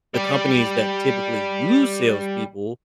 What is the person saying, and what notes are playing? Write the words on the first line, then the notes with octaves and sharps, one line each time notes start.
the companies that typically use salespeople
G3 D5